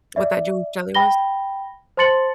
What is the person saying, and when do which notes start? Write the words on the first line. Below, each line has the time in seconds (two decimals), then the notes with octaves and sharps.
what that June's Deli was?
0.16 D5 E5
0.95 G5 B5 A#6 G7
1.97 C5 A5 C6 A6 C#7 F#7